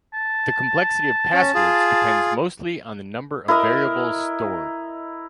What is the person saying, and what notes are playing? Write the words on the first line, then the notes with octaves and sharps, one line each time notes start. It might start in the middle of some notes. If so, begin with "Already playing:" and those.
The complexity of passwords depends mostly on the number of variables stored.
A5
C#4
F4 G#4
E4 A#4 D#5